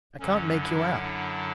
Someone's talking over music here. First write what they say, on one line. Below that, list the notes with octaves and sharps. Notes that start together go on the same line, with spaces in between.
I can't make you out.
F#2 D3 F#3 C#4
D4 E4
D4 E4